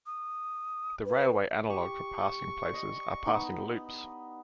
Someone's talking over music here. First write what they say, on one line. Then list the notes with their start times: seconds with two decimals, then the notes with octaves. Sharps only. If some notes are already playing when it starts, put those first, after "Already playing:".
The railway analog for passing places are passing loops.
0.06 D#6
1.05 B4
1.70 G4 C#6
2.70 D5 D#5
3.26 B3 D#4